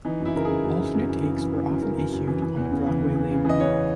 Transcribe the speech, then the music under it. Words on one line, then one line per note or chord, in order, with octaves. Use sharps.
Alternate takes were often issued on the Broadway label.
E3 D#4
F#2
E4
C#3 A#4
G#4
F#2
F#2
F#2
F#2
E3
C#3
E3
E3
F#2
C#3 A#4
F#2
F#2
E3
E3
E2
C#3
E3
C#3
E3
C#3
E3 D#5
C#3 C#5